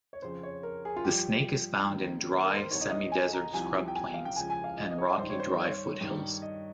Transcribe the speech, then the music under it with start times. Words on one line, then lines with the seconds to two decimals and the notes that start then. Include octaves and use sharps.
The snake is found in dry, semi-desert scrub plains and rocky dry foothills.
0.13 C#5
0.22 F2 C#3 F3 C5
0.43 C#5
0.63 A#4
0.85 G#4
0.96 F4
1.05 G2 F3 G4
1.88 D#2 D#3
2.29 A#4
2.43 A#4
2.57 C5
2.70 C2 C3 D#3 C#5
2.81 D#5
2.91 D#5
3.12 G#5
3.33 A#5
3.53 C2 C3 F3 G#5
3.88 G5
3.95 G#5
4.14 F5
4.25 G5
4.36 C#2 C#3 F3 G#5
4.50 G#5
4.64 F5
4.77 D#5
4.91 D#5
4.98 C#5
5.18 G2 D#3 C5
5.30 C#5
5.40 C5
5.60 C#5
6.01 G2 D#3
6.42 D#5